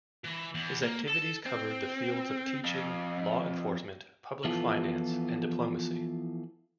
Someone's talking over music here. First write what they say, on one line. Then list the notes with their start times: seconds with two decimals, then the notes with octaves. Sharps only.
His activities covered the fields of teaching, law enforcement, public finance and diplomacy.
0.24 E3
0.54 E2
0.82 A#3
1.07 A4 A5
1.46 C4
2.64 F2
4.44 E3 F3 B3 E4 F4 A4